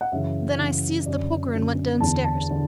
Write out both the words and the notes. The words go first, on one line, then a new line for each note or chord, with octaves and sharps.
Then I seized the poker and went downstairs.
F#5
F#2 C#3 E3 E5
F#2 C#3 E3
F#2 D3 D5
F#2 D3
E2 D3 A5
A5
D3